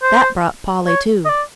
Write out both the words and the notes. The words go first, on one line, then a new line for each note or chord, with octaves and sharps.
That brought Polly to.
C5
C#5
D#5
D5